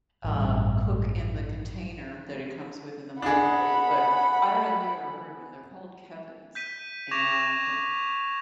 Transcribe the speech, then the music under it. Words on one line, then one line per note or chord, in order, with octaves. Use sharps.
um, cook in the container that it comes with in the microwave, but I don't know if you've ever heard of 'em, they're called Kevin's and
A1 G2
D4 G#4 F#5 B5
G6 B6 D#7
C#6 D6 G#6 A#6 E7 F7